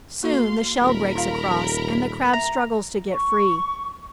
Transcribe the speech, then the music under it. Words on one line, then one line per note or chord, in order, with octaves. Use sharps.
Soon the shell breaks across, and the Crab struggles to get free.
A#3 F#4 A4 F5 C6
D#1 A#4 A#5 B5
F4 F5
E5 A#5
C#6